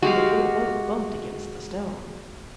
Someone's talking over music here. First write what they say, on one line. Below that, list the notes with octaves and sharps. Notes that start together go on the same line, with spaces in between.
And the little boat bumped against the stone.
G#3 F#4 G4 F5